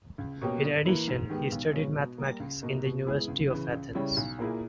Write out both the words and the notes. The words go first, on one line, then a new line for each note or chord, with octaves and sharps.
In addition, he studied Mathematics in the University of Athens.
C#2
B2 A#3 C#4 G4
G2
E3 A#3 E4
G#2
D#3 G#3 B3 G4
B1
B2 G#3 C#4
B2
G3 A#3
C#2
B2 A#3 D#4
B2
G#3 B3 E4 G#4
C#2
C#3 E3
C#2
C#3 G3 C#4 E4
B1
A#2 A#3 E4 G#4